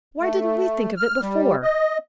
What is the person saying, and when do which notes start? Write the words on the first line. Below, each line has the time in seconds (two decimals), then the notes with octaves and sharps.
"Why didn't we think of it before?"
0.21 A3
0.97 F6
1.22 G3
1.63 D#5